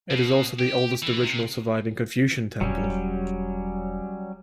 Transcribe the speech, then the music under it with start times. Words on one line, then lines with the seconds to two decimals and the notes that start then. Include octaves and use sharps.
It is also the oldest original surviving Confucian temple.
0.10 B2
0.59 G4
1.02 E3
1.23 C3
2.61 E1 F#3 G3 C#4